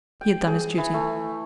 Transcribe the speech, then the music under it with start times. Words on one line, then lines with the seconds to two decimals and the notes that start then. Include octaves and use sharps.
He had done his duty.
0.21 G5
0.47 G#4
0.78 E3
0.93 A3